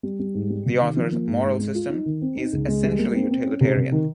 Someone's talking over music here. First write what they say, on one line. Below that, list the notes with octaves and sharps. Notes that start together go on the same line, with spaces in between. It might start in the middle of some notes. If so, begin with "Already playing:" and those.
The author's moral system, is essentially utilitarian.
G3
G3
G#2
G3
C3
D#3
F3
A#3
G#2
G#2
G#3
F4
D#4
D#3
C4
D#4
C#2
G#3
G3
A#3
C4
C4
C#4
C3
C3
D#3